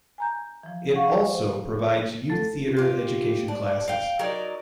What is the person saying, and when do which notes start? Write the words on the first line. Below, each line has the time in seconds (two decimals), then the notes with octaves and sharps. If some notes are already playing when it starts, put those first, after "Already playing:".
It also provides youth theater education classes.
0.18 G#5 A#5 G6
0.63 E3 F3
0.94 G#4 F5 F#5 C#6
1.29 C5
2.29 D2 A3 A4 A6
2.77 F4 G4
3.48 D4
3.88 F5 G5
4.19 F#3 D#4 A#4 D5